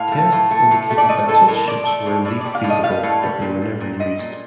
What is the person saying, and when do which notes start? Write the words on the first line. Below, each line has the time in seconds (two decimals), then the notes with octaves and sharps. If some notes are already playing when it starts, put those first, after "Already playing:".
Tests indicated that such ships were indeed feasible, but they were never used.
Already playing: A2 F5
0.12 A3
0.32 A2
0.51 A3
0.71 A2
0.90 A3
0.98 D5
1.09 A3 D#5
1.28 A2 A4
1.48 A2 A#4
1.67 F3 D5
1.86 A3
2.06 A2
2.25 A2 D5
2.41 G3 D5
2.55 F5
2.64 A2
2.70 D#5
2.84 G3 F5
3.03 A2
3.23 G3
3.42 A#2
3.62 G3
3.81 A#2
4.00 G3 D#5
4.19 A#2